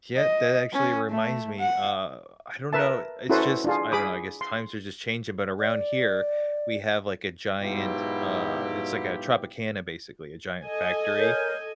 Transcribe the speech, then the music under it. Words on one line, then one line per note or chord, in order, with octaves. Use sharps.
Yeah, that actually reminds me, uh, I don't know, it's just I don't know, I guess times are just changing, but around here, we have, like, a giant, uh it's like a Tropicana, basically, a giant factory,
D#5
C#4
A3
F#5
A#4 B4 E5 A5
C#4 E4 F#4 A4 B4 C5
D4 F4 G#4
G#4 B5 D6 D#6
C6
D5
G#2 B2 F#3 E4 F4 G4
A4 D#5 G#5
A#4 C#5 G6